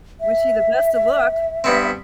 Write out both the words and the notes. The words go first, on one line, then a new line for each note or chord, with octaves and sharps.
wish you the best of luck.
E5
G2 B3 C4